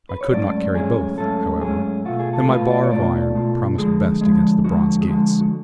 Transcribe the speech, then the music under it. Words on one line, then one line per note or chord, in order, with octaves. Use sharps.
I could not carry both, however, and my bar of iron promised best against the bronze gates.
B4
C#5
G#2 F#3 A3 C#4 D5
G#2 F#3 A3 C#4 G#4
G#2 F#3 A3 C#4 A4
G#2 F#3 A3 C#4 G#4
B2 A3 F4 F#4
G#4
A4
B2 A3 F4 B4
D5
C#5
B2 A3 F4 D5
B2 A3 F4
D3 F3 G#3 G#4
D3 F3 G#3
D3 F3 G#3 F#4
G#4
D3 F3 G#3 F#4
F#4